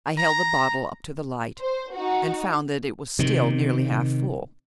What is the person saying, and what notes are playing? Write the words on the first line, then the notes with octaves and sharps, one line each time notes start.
I held the bottle up to the light, and found that it was still nearly half full.
A#5
C5
D#4 F#4
C3 D#3